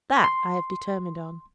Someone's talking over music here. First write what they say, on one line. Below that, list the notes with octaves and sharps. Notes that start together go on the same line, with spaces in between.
That I have determined on.
C6